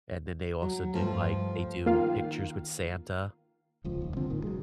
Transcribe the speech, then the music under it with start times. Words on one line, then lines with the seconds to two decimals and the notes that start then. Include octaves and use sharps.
And then they also do, like, they do pictures with Santa.
0.62 F#3
0.94 G2 F3 A3
1.86 D#3 A#3 F4 F5
3.84 D#1 C#2 F3
4.02 F#1 D#2
4.17 D3 F3 C4
4.30 G#1 A#2 D#3
4.44 F#3 G#3